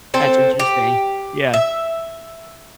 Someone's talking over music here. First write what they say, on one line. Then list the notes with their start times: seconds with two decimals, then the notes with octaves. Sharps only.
That's interesting. Yeah.
0.14 C4 A4 C5
0.59 G4
1.53 E5